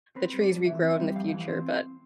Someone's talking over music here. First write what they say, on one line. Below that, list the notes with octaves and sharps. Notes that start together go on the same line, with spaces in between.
the trees regrow in the future, but
C4 B4
G3
D5
F2
E3 E5
C4
E5
G3
F2 F5
F5
E3
F5
C4